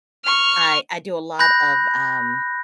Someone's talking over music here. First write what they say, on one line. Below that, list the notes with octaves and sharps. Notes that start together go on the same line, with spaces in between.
I I do a lot of, um,
C#6 F6
B5 F#6 G6 A#6